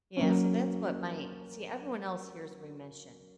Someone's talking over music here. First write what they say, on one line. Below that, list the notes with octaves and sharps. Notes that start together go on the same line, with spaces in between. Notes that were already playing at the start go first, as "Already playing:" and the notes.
Yeah, so that's what my see, everyone else hears, "remission."
F#3 A#3 C#4